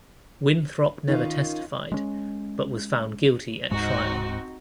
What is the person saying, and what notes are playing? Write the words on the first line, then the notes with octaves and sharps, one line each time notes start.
Winthrop never testified, but was found guilty at trial.
D#3 C#4 D#4 F4
G#3 C#4
D1 G#2 G#3 C4 D#4 F#4